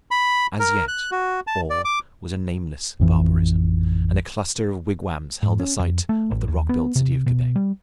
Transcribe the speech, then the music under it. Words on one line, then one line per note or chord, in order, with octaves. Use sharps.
As yet, all was a nameless barbarism, and a cluster of wigwams held the site of the rock-built city of Quebec.
B5
A#4
F#6
F#4
A5
D5
D6
A1 F2 E3
G#2
C#4
F2
A3
A1
D#2
B3
C3
B2
G3